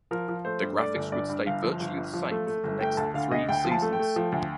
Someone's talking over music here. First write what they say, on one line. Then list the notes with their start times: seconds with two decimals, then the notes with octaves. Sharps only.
The graphics would stay virtually the same for the next three seasons.
0.11 F3 A#4
0.29 F3
0.45 A3 C5
0.62 G2
0.78 A3 D5
0.95 G1
1.12 G2 D5
1.29 G2
1.46 G1 F5
1.62 F3
1.80 G1
1.97 G2
2.13 F3
2.31 A3
2.47 A3
2.64 G1
2.80 A3 G5
2.97 D2 A5
3.14 D3 F5
3.31 D2 D#5
3.49 D2 G5
3.64 F3
3.71 A5
3.82 A3
3.93 G5
3.99 A3
4.16 F3
4.32 D2